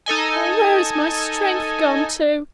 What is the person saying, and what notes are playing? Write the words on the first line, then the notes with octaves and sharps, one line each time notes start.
Oh, where is my strength gone to?
D#4 A4 D#5 G#5